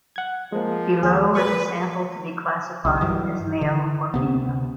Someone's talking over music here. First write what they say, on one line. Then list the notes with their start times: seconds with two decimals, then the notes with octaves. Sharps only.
Below is a sample to be classified as male or female.
0.16 F#5 G#6
0.52 F3 G#3 A#3
1.03 D#2 G#4
1.35 A#2 B4 C#6 G#6
2.85 C2 D3 G3
3.01 G2 E3 F#3
3.61 D3 E3
4.14 D2 C3 B3